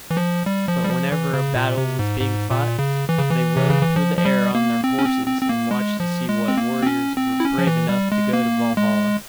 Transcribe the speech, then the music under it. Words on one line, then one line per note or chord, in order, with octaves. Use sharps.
But whenever a battle was being fought they rode through the air on their horses and watched to see what warriors were brave enough to go to Valhalla.
E3
F3
G3
F3
G3
F3
E3
C#3
A#2
C3
G#2
G#2
A#2
C#3
E3
C#3
E3
C3
C#3
E3
F3
F3
G3
A#3
C4
C#4
C4
C4
C4
A#3
G#3
F3
G#3
C4
A#3
C4
C#4
C4
E4
C#4
F3
E3
G3
G#3
A#3
G#3